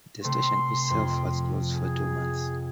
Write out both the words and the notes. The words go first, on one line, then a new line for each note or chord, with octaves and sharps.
The station itself was closed for two months.
C3 A3 C6
F2
G#4